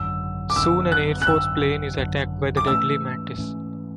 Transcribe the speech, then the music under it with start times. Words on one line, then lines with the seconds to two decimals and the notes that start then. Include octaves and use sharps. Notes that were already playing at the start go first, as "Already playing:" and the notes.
Soon an Air Force plane is attacked by the deadly mantis.
Already playing: G#1 F#2 D3 E6
0.50 D6
0.56 G#1 F#2 D3 E6
0.92 F#6
1.22 F#6
1.27 G#1 F#2 D3 E6
1.97 G#1 F#2 D3
2.57 D6
2.67 G#2 E3 A3 C#4 E6
3.38 G#2 E3 A3 C#4